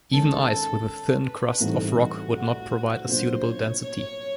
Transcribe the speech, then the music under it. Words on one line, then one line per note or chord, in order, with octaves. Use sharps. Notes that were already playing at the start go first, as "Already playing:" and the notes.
Even ice with a thin crust of rock would not provide a suitable density.
D#3 G#3 C#4 A4
B4
A2 E3 G3 C4 D#4 F#4
F#4
B2 F#3 A#3 D4 F4 C5
C#5
C#5